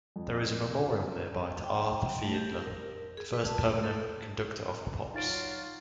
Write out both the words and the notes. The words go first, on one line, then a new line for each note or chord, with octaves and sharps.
There is a memorial nearby to Arthur Fiedler, first permanent conductor of the Pops.
F2
G5
A3
G4
A#4
G#4
B4
A5
A3
A4
F#3 D#4 F4 A6 D7